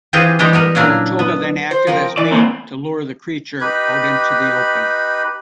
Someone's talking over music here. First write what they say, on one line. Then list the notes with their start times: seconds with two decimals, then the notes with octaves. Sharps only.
Ouatoga then acted as bait to lure the creature out into the open.
0.13 E3 C4 F4 G4 G#4 B4
0.39 E3 G3 G#3 B3 G4
0.53 G3 B3 A#4
0.75 A#2 C#3 F#3 D4 E4 A#4
1.19 B3
1.71 C5
1.87 F3 C4 A#4
2.18 E3 D5
2.31 A#3 C4
3.61 D#4 G4 B4 B5